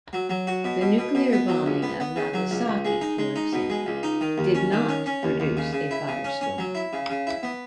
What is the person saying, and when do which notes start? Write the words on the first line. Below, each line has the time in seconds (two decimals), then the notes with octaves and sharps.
The nuclear bombing of Nagasaki for example, did not produce a firestorm.
0.13 F#3
0.29 F#3
0.47 F#4
0.64 B2
0.81 B2
0.98 B2
1.15 B2
1.32 B3
1.48 F#3
1.66 C#2
1.82 B3
2.00 B3
2.16 C#3
2.34 F#3
2.51 C#2
2.68 C#2
2.85 G#3
3.01 D#4
3.19 G#3
3.36 D#4
3.53 B2
3.70 G#3
3.86 C#2
4.03 D#4
4.21 D#3
4.38 D#2
4.55 C#4
4.72 D#3
4.89 C#4
5.06 C#4
5.23 D#2
5.40 D#2
5.57 C#3
5.73 C#3
5.91 E4
6.07 C#3
6.24 C#4
6.41 C#4
6.58 F#3
6.75 E4
6.93 C#3
7.10 C#3
7.27 E4
7.43 B3